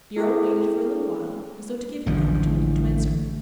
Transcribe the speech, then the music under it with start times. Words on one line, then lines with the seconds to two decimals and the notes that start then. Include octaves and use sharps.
The Earl waited for a little while, as though to give him the opportunity to answer.
0.16 E4 G#4 A4 G5
2.06 A1 D3 E3 F3